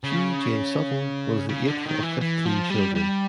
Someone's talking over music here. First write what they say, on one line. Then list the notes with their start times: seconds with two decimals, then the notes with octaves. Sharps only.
G. J. Sutton was the eighth of fifteen children.
0.04 C#3
1.49 C#3
1.68 D3
1.86 D#3
2.03 E3
2.21 E3
2.46 F3
2.70 G3
2.95 G3